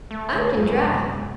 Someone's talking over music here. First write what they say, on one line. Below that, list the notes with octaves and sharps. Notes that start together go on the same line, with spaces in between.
I can drive.
A3
D3 C#5
F#2 F4 C#5
C3 G#3 B3